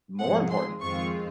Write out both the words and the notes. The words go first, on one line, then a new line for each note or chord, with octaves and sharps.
More important.
G#2 F3 G#3 C4 F#5
C6
F2 D#3 G#3 C4 F4 C#6